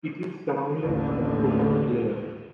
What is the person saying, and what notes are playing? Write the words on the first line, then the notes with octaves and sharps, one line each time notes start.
It is surrounded by a coconut layer.
A1 D#2 D3